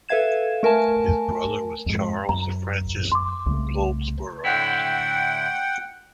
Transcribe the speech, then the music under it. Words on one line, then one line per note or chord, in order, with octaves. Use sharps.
His brother was Charles Frances Goldsborough.
A4 B4 E5 F5 G#6 E7
A3 A#4 G#5 A5
F2 G#2
F#2 A#5
C6 D6
C2 C#3 A3
A2 D3 E4 F#5 G5